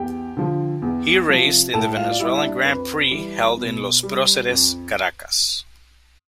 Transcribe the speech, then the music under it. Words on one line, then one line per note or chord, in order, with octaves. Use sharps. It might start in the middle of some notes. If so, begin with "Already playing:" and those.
He raced in the Venezuelan Grand Prix held in Los Proceres, Caracas.
Already playing: E2 G4 G5
D3 F3
E2
C3 F3
A2 A4 A5
F4 F5
D5
G3 E4 E5
E5
D4 D5
F2 B4
E3 G3
B2
G3
F2